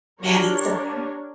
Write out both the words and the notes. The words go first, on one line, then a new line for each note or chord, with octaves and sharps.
Man, it's different.
D4 G4 A#4 C#5